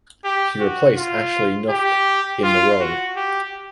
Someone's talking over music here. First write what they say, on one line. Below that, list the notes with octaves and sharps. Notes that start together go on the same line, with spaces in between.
He replaced Ashley Noffke in the role.
G4
F#4
F4
G4
F4
F#4
G4